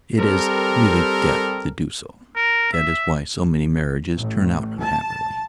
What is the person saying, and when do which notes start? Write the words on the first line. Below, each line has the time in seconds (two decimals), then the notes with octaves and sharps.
It is really death to do so--that is why so many marriages turn out unhappily.
0.19 G3 C4 G4 A4 A#4
2.36 A#4
2.73 E5
4.16 A1
4.80 A5